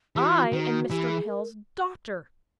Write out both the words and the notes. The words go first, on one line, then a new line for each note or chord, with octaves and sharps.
'I am Mr. Hale's daughter.
E3 G4
F#4
F4
F#4
D#3
E3 G4
G#4
A#4